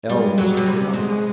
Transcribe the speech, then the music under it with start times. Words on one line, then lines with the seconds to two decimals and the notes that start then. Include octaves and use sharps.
L--was of the number.
0.09 G3 G#3
0.38 F#3
0.51 G3
0.57 B2
0.66 C3
0.94 B2 G#3